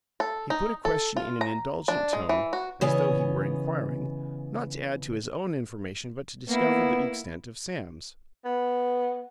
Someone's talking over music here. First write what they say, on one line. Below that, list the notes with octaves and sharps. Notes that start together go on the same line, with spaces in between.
He put a question in an indulgent tone, as though he were inquiring, not to add to his own information but to discover the extent of Sam's.
A4
D#4
A4
F4
A#5
D4
G#3
E3
F#4
C#3 E3 B3 C#5 D#5 G#5
A#3 B3 E4
B3